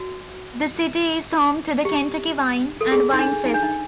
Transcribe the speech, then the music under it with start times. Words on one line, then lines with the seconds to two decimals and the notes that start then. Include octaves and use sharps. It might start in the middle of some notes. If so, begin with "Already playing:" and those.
The city is home to the Kentucky Wine and Vine Fest.
Already playing: F#4
1.85 G4
2.81 A4
2.92 G#4
3.13 D#4
3.19 D4
3.45 D#4
3.54 D4
3.62 D#4